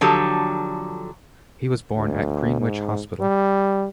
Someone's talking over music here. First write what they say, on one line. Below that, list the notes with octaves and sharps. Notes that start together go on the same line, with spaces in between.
He was born at Greenwich Hospital.
D3 F3 F#3 G4 A4
D2
G#2
G3